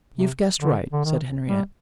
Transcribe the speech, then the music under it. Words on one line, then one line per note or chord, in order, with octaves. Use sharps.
"You've guessed right," said Henriette.
C3
D3
D3
D#3
G3